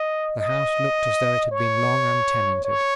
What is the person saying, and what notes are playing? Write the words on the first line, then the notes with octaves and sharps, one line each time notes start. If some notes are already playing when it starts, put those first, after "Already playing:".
The house looked as though it had been long untenanted.
Already playing: D#5
D#5
C#5
C#5